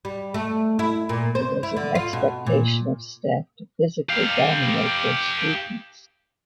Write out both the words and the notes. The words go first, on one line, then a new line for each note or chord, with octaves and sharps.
There was an expectation of staff to "physically dominate their students".
G3
A3
E4
A#2
C5
E4
D3
F4
B2
A#2
G4 F5